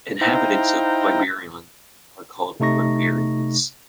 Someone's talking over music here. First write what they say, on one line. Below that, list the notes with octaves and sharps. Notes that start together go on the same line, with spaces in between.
Inhabitants of Quiberon are called "Quiberonnais".
D#4 E4 C5 F5 G5 A#5
C3 A3 D#4 C#6 A#6